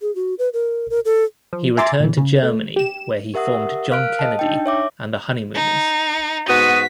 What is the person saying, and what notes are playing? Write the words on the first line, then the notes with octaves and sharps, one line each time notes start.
He returned to Germany where he formed John Kennedy and the Honeymooners.
G#4
F#4
B4
A#4
A#4
A4
F3
E5 G#5 A#5 C6 D6 A6
A#2 E3
C#3
A3
G4 E7
G4 A#4 E5 F#5 D#6
A#4 F5 F6 F#6 D7
D#5 A5
D4 D#4 G5
C#5 E5 D6
D#4
G#2 B3 F#4 D#6 B6